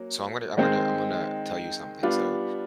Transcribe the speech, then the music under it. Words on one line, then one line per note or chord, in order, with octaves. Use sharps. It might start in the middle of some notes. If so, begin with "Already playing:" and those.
so I'm gonna I'm gonna I'm gonna tell you something, so,
Already playing: F#3 A#3 C#4
D#3 G#3 C4
G3 B3 D4 F4